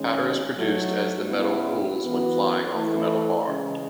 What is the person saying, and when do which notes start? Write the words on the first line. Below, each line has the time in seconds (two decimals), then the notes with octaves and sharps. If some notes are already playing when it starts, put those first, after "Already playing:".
Powder is produced as the metal cools when flying off the metal bar.
Already playing: D#3 G#3 C#4
0.56 F#3 A3 D#4
1.29 C#3 G#3 B3 E4
2.01 E3 B3 F#4
2.74 E3 A3 E4
3.47 C#3 E3 G#3